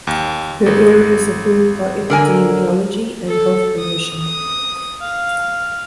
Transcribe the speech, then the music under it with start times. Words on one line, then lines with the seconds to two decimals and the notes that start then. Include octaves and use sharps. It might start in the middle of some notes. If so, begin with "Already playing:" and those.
Her areas of work are epidemiology and health promotion.
0.07 D#2
0.66 G#1
2.10 D3 A#4 G#5
3.27 A4
3.79 D#6
4.23 D#6
5.01 F5